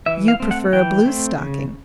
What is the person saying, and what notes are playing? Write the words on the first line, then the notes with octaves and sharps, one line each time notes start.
"You prefer a bluestocking."
E3 E5
F5
A3 C4
F#5
E3 G5
A3 C4
C#3